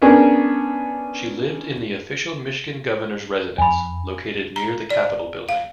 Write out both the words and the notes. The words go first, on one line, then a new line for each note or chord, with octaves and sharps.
She lived in the official Michigan Governor's Residence, located near the Capitol Building.
B3 C#4 D4 G#4 A#4
F2 G#5 B5
A#5
D5
F5